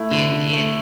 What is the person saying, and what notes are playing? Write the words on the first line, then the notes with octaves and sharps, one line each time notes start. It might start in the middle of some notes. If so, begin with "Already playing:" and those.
It it
Already playing: A3 E4
D3
D3
A3